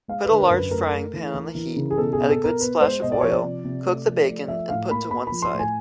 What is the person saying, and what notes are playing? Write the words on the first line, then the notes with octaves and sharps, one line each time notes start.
Put a large frying pan on the heat, add a good splash of oil, cook the bacon and put to one side.
G#3 F5
B4
D3
A#4
F#2
B4
A3 A#4
A3
E3
E3
E3
C#3
G#4
B2 A4
G#4
B2
A4
B2 A#4
B3 B4
G#3 C5
B2 D#5
D5
F3 C#5
D5
C3
C3
A3
F3
A3
F3 E5
A2 F5
A#3 B5
A#3 B5
F3 B5
C6
A2
G#5